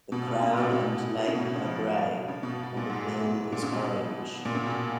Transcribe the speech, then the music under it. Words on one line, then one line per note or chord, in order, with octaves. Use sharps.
The crown and nape are grey, and the bill is orange.
B2
B2
C#3
A#2
B2
C#3
B2
B2
C#3
F3
C#3
B2
B2
A#2
G#2
A#2
C#3
B2
A#2
C#3
B2